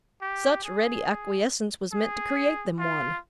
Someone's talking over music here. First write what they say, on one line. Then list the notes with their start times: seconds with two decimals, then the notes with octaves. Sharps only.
Such ready acquiescence was meant to create them one.
0.22 G4
0.64 G#4
1.93 G#4
2.79 F4